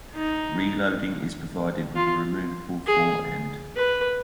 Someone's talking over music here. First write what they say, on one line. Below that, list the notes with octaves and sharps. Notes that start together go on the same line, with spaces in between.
Reloading is provided with a removable fore-end.
D#4
F4
G#4
B4